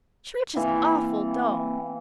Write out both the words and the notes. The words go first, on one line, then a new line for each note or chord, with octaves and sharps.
Church is awful dull.
E3 A#3 C4